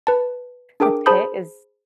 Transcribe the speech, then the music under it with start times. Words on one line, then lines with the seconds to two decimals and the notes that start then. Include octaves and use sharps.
The Pitt is
0.07 B4 A5
0.80 D4 G#4 A#4 G5 D6
1.06 G#4 C5 A5 B5 D#6 G6